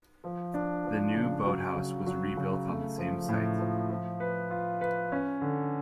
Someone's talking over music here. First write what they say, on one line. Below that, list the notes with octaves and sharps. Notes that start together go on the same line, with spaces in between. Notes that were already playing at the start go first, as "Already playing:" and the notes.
The new boathouse was rebuilt on the same site.
F3
D4
F3
C#3
F#3
C#3
F#3
C#3
A3
F3
A2
F3
F3
B4
F4
B4
C#4
D3